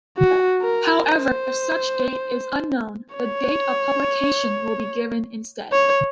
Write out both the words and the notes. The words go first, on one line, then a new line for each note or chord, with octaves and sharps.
However, if such date is unknown, the date of publication will be given instead.
F#4
A#4
C5
C#5
C#5